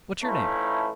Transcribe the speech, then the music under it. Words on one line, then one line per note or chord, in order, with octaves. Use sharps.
What's your name?'
E3 F3 A3 C#4 D#4 E4